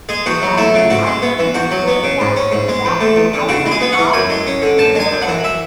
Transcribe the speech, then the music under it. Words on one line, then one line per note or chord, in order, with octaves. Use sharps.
Shortly after this, they captured the island of Euboea.
G#3 G#4
E2 F#4
F#3
A3 E4
C#3
G#2 F#4
G#3
B3
E3
E2 F#4
F#3
B3
C#3
G#2
C#4
G#2
G#3
E2
A3
E2
D3
C#3 F#4
G#3
G#4
B3
F#5
E3
F#2 G#5
G#3
C#4
D3
F#2 A5
G#3 G#5
F#2
F#5
E3
E5